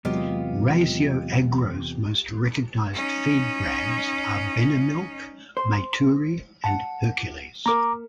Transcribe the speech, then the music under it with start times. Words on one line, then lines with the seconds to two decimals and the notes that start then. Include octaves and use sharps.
Raisioagro's most recognised feed brands are Benemilk, Maituri and Hercules.
0.05 E2 C3 F#3 G#3 B3 F4 G4 D#5
2.93 C#4 D#4
5.57 C5
6.64 F#5 A5
7.66 A#3 A#4 A#5 D6